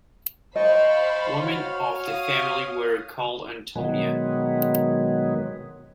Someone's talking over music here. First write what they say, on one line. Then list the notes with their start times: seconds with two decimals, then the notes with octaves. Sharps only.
Women of the family were called "Antonia".
0.56 C5 D#5 F5 G5 A5 B5 C#6
1.42 F#4 C#5 F6
2.05 F5 D#6
3.76 B2 D#3 F#3 G#3 B3